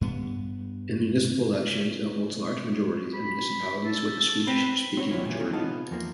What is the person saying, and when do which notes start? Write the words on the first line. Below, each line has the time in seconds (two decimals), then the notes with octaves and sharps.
In municipal elections, it holds large majorities in municipalities with a Swedish-speaking majority.
0.01 G2 B3
3.14 B5
3.84 A4
4.47 C4 B4
4.97 C4 D#4 F#4 B4 C#5
5.11 D#2 D3 F#3 E4 F4 C#5
5.25 A#2 E3
5.39 D#3 E3 A#3 C4 C#4
5.53 C3 G#3 B3 D#4 F4 A5
5.91 E2 F3 A#3